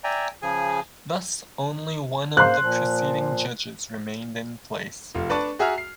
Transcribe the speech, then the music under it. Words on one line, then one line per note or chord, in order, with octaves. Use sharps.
Thus, only one of the preceding judges remained in place.
D5 E5 G5 G#5 A#5
C#3 F3 G#4 G#5
A#3 C5 C6 F#6
A#2 F3
F1 F4
D4 B4 D5 A5 C#6
F#4 G#4 E5 G#5 A#5 F6
C7